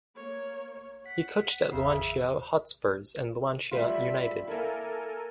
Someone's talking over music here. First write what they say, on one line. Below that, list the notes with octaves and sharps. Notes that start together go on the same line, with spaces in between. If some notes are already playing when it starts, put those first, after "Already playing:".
He coached at Luanshya Hotspurs and Luanshya United.
A#3 C#5
F#5 B6
G#1 E2 C#3 E5 C7
G3 A3 F4 E5 B5
A#3 E4 A4 A#4 G#5